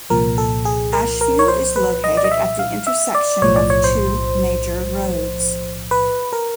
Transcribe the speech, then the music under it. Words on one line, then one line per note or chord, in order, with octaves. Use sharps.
Ashfield is located at the intersection of two major roads.
C2 A#2 F3 A#4
A4
G#4
A#4
A#4
C#5
C5
B4
D#5
D5
D#5
E5
F5
E5
D5
B1 A2 F3 C#5
D5
C#5
C5
B4
A#4